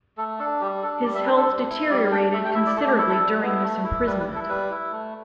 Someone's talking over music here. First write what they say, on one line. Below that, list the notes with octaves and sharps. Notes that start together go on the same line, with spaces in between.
His health deteriorated considerably during this imprisonment.
A3 A4
D4 A4
G3 G4
D4 A4
G3 D5
E5
D4 B4
A4
G3
E4
G3 D5
D4 G5
A3 E5
G5
E4 E5
D5
A3 A4
G4
E4 A4
A4
G3
B3 E4
A3
E4
G3 B4
B4
E4
A4
G3 B4
E4
A3